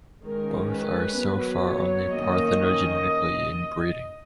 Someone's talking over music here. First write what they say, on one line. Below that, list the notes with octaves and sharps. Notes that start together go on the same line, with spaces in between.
Both are so far only parthenogenetically in breeding.
D#3 G#3 C#4 A#4
B4
F#3 B3
C#5
D#3 A#3 C#4 D#5